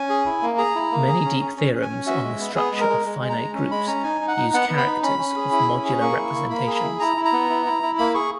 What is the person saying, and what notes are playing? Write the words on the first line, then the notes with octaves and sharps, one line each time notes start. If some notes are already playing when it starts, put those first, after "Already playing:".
Many deep theorems on the structure of finite groups use characters of modular representations.
Already playing: C#4 G#5
G#4
E4
A#3
G#4 A#5
E4
A#3
G#4
C#4
C#4
C#4
C#4
G#5
C#4
F#4 E5
G#3
B3
B3 G#4
G#3
A#4
G#3
G#3
G#3
A#5
G#3
C#4
G#3 B5
C#4 A#5
D#4 G#5
D#4
F#5
D#4
B3 F#5
B3
B5
D#4
C#4 B5
C#4
G#4
E4
C#4
G#4
A#3 C#6
E4
A#3
A#3 B5
G#4
B5
E4
E4 A#5
E4
A#5
B3
E4
E4
E4
A#3 B5
G#4 C#6